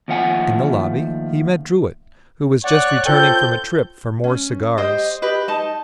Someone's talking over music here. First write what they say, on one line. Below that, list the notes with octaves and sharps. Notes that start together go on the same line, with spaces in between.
In the lobby he met Drouet, who was just returning from a trip for more cigars.
D#2 F3 A3 F#5 G#5
C#5 D5 F#5 F#6
F4 A4 C5 G5 G6
C#4
G4 C5 D#5
G4 B4 D#5
D#4 D#5 A5